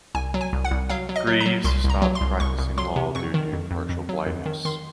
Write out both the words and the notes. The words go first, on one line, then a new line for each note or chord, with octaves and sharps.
Greaves stopped practicing law due to partial blindness.
C2 G#5
F#3
G#5
C2
F#5
C2
F#3 F5
F#3
D#5
F#3
A#5
F#3
C2 C6
C2
A#5
F#3
C6
C2
C2 C#6
C2
F#3 C6
C3
F2 C#6
D#3
F2
F2
F2
F#3
F2
D#3
D#3 C6